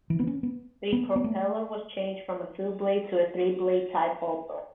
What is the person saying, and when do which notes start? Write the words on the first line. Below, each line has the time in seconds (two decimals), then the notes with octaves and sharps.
The propeller was changed from a two-blade to three-blade type also.
0.10 E3
0.20 B3
0.27 C#4
0.43 B3
0.93 B3
1.16 B3
1.24 A3